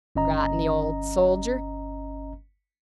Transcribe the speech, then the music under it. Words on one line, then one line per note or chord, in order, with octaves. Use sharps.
Forgotten the Old Soldier!
G1 C#4 D#5 A#5